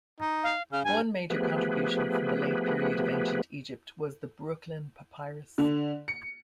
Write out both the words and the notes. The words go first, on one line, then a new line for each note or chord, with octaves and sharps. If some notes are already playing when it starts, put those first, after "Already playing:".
One major contribution from the Late Period of ancient Egypt was the Brooklyn Papyrus.
D#4
F5
C#3 F6
G2 G#5
F3 A3 B3 G4 G#4 B4
D3
C#7